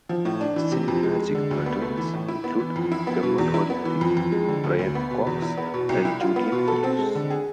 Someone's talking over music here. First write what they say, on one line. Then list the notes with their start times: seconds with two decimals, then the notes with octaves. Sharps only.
Cinemagic's patrons include Dermot O'Leary, Brian Cox and Julian Fellowes.
0.09 F3
0.25 A2
0.41 D4
0.56 E3
0.72 C3
0.88 F2
1.03 G#3
1.19 G#3
1.35 D3
1.51 D2
1.66 B3
1.82 A3
1.97 E3
2.13 A2
2.28 E4
2.44 B3
2.60 E3
2.76 F2
2.92 E4
3.07 B3
3.23 B2
3.38 E2
3.54 E4
3.70 B3
3.85 E3
4.01 F2
4.17 F2
4.32 G#3
4.48 D3
4.64 D2
4.79 D2
4.95 B3
5.11 B2
5.27 E2
5.42 E4
5.57 B3
5.74 B2
5.89 C2
6.05 E4
6.21 F4
6.36 B3
6.52 B2
6.68 A4
6.84 C4
6.99 G#3
7.15 D3
7.30 G#4